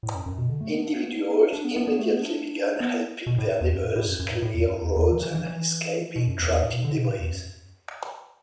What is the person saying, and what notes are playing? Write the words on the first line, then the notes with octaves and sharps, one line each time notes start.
Individuals immediately began helping their neighbors clear roads and escape being trapped in debris.
A2
F#2
F#2
B2
D3
A3
B3
D4
B3
A3
B3
D4
B3
D4
D4
B3
B3
D4
B3
A3
B3
D4
B3
B2
A2
E2
F#2
A2
A2
F#2
F#2
A2
A2
E2
F#2
E2
E2
E3
E3
E3
E3
B2
F#2
E2
E2
A2
B2
D3
B2
A2
E2
F#2